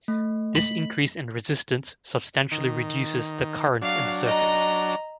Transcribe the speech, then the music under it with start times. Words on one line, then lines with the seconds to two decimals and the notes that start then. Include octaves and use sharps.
This increase in resistance substantially reduces the current in the circuit.
0.08 A3
0.55 B5
2.52 D#3
3.82 F#3 D4 F5
4.25 D#5 A#5